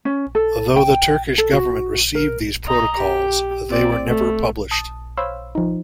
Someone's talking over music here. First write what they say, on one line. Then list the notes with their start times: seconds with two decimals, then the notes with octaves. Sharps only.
Though the Turkish government received these protocols, they were never published.
0.05 C#4
0.35 A4
0.76 G5
1.38 A4
1.53 F#4
2.15 A#4
2.67 D#5 A#5
2.97 G4
3.69 C4 D5
4.07 A3
4.71 A5 D#6
5.17 C5 C#5 F5 B5 C6 E6
5.55 F3 D#4